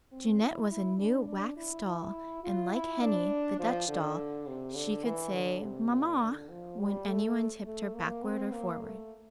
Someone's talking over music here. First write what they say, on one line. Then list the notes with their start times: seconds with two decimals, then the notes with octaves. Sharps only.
Jeanette was a new wax doll, and like Henny, the Dutch doll, she could say "Mamma" when anyone tipped her backward or forward.
0.12 C4
0.40 E4
0.70 E4
0.98 D4
1.27 D4
1.57 E4
1.86 E4
2.43 F4
2.72 E4
3.02 D4
3.59 F3
3.88 D3
4.47 C3
4.75 D3
5.04 E3
5.33 D3
5.63 C3
5.92 A#2
6.20 D3
6.50 F3
6.79 G3
7.07 A3
7.65 A3
7.94 A#3
8.23 C4
8.52 A#3
8.81 A3